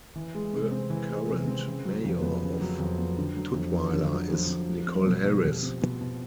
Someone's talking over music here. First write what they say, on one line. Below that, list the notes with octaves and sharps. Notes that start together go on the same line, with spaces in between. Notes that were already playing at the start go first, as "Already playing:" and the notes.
The current mayor of Tutwiler is Nichole Harris.
E3
G#3
C3
C4
E3
G#3
C3
C4
C#3
F#3
F2
B3
C#3
F#3
F2
B3
D3
F#3
F2
F2
D3
F#3
F2
F2
G3
C4
B2
B2
G3
C4
B2
B2